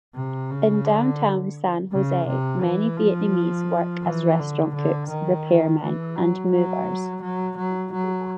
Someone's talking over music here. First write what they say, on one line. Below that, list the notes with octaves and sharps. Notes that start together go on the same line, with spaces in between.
In downtown San Jose, many Vietnamese work as restaurant cooks, repairmen and movers.
C3
C#3
D3
C#3
C3
E3
F3
E3
D3
D3
D#3
E3
F#3
F#3
F#3
F#3
F#3